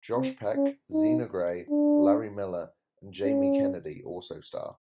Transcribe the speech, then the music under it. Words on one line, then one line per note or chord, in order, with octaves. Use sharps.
Josh Peck, Zena Grey, Larry Miller and Jamie Kennedy also star.
C4
C#4
D#4
D4
C#4